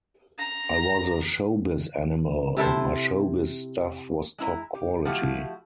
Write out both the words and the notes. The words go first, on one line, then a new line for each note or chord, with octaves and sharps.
I was a showbiz animal, and my showbiz stuff was top quality.
A#5
C3 E4 A4 C5
G#3 E4 A#5
G4
F3 A3 E4 F#4 G4